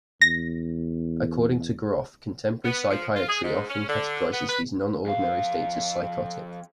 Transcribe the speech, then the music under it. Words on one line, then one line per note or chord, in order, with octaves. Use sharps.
According to Grof, contemporary psychiatry often categorizes these non-ordinary states as psychotic.
E2 A#6
B3
F3
F4
G#4
G#2
C#4
D3
B3
B4
F2 F5